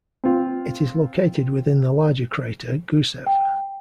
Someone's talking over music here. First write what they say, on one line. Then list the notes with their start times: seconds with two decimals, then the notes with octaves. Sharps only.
It is located within the larger crater Gusev.
0.24 C4 F4
3.27 G5